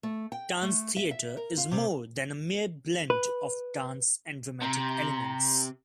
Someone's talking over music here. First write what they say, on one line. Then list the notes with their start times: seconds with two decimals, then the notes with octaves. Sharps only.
Tanztheater is more than a mere 'blend' of dance and dramatic elements.
0.03 A3
0.32 G5
0.62 A3
0.96 E5
1.11 E5
1.37 A#4
1.57 F4
1.71 C3
3.10 B4
4.62 C3 A#5